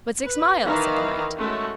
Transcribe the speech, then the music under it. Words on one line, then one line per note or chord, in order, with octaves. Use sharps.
But six mile, said the knight.
B4
D#3 E3 D#4 E4 F5
G#3 A3 C#4 F#4